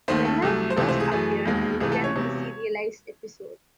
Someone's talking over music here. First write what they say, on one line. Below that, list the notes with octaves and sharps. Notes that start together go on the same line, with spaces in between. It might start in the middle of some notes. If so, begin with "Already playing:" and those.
Weller first appeared in the tenth serialised episode.
D#2 D#3 A3 C5
A4
C2 C3 F#3 A3
C5
C#2 C3 E3 A3 A4
C5
G#4
F#2 E3 A3 G#4
E1 D#2 D#3 G#3
C#2 C3 E3 A3 G#4
A4
C#5
E1 E2 C3